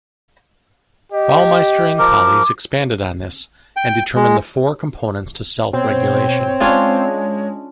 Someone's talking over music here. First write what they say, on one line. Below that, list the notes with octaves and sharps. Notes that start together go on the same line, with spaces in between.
Baumeister and colleagues expanded on this, and determined the four components to self-regulation.
G4 D#5
F3 A#4 D6
G5
G#3
B2 C4 C#5
G#3 C#4 D4 F4